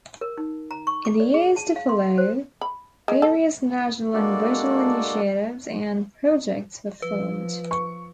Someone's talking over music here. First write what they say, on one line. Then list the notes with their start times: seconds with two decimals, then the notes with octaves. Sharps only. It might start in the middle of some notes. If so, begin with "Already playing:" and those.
In the years to follow, various national and regional initiatives and projects were formed.
0.21 A#4
0.38 D#4
0.71 A#5
0.87 C#6
1.05 D6
1.20 D5
1.34 G#4
1.56 A5
1.76 F5
1.89 C6
2.18 C5
2.61 B5
3.08 G#3
3.22 A4
4.14 G#3 A#3 D4 F#4 A4 D5
7.02 F3 B4
7.71 C#6